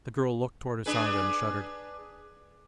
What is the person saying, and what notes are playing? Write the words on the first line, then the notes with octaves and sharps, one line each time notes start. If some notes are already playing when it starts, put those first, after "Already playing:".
The girl looked toward Usanga and shuddered.
D4 G#4 B4